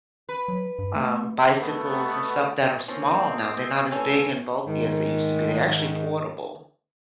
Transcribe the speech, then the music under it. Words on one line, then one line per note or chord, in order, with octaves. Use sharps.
um, bicycles and stuff that are small now. They're not as big and bulky as they used to be, they're actually portable.
B4
F#3
G2
A3
B2 A3 B3
F3 A#3 C4 C#4
G#3
E3 A3 C#4 D4 G4 A4
G#2 D#3